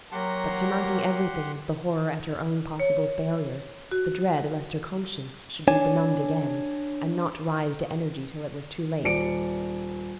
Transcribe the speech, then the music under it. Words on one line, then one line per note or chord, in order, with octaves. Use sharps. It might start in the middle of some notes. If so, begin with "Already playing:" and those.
But surmounting everything was the horror at her own possible failure, the dread lest her conscience should be benumbed again, and not rise to energy till it was too late.
F#3 A#3 G4 F#5 A#5 C6
C#5
F#4
D4 C#5 G#5
D#1 D5 C#7 D7